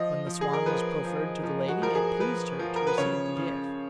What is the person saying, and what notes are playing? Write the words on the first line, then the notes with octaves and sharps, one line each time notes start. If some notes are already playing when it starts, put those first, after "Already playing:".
When the swan was proffered to the lady it pleased her to receive the gift.
Already playing: F3 D#5
F3
G#4
A#4
F3 B4
F3
F3
F#4
F3 A#4
G#4
F3 B4
F3
A#4
B4
C#3 C#5
C#3